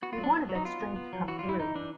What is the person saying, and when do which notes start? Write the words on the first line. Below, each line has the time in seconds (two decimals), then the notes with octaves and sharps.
We wanted that strength to come through.
0.02 B3 F#4
0.13 F4
0.18 F#3
0.24 D4
0.33 B3
0.49 F#3
0.55 D#4
0.65 B3 F4
0.81 B3
0.96 B3
1.13 F#3
1.28 E3 F#4
1.39 G3 F4
1.49 E4
1.59 E3 D#4
1.75 E3 D4